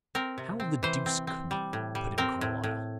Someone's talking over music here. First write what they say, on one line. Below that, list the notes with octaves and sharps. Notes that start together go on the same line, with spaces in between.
"How the deuce could you?" put in Carlyle.
C4 A#4
C3
C4
E3 C5
C4
C4
G3
A2
G3
C4 A#4
A2
A2